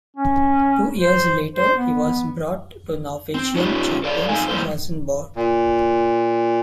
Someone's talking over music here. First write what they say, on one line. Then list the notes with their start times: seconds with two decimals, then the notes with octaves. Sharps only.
Two years later he was brought to Norwegian champions Rosenborg.
0.16 C#4
0.97 C5
1.55 C5
1.75 B3
3.34 C4
3.56 C#4 D#4 F4 G4 B4
4.04 A4 D5 F5
4.29 F#2 C4 D#4 A4 F5 G#5
4.48 G3 A#3 E4 C5
5.36 A#2